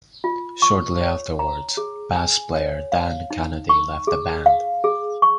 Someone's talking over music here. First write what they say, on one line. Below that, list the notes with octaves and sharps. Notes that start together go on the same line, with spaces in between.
Shortly afterwards, bass player Dan Kennedy left the band.
F4
C#6
C#5
A#5
G#4
G#5
C#5
F5
D#4
C#6
G#4
F5
G#4
C#6